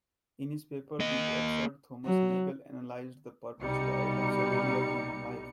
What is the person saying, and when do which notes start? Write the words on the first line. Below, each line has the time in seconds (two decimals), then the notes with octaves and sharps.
In his paper, "The Absurd", Thomas Nagel analyzed the perpetual absurdity of human life.
1.00 A#3 D#5
2.05 F#3
3.59 C2 B2 G3 D#4 C#7